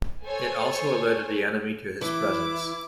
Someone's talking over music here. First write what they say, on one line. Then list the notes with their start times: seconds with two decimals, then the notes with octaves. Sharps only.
It also alerted the enemy to his presence.
0.25 A4 C5 C#5 G#5
2.01 E3 E4 D6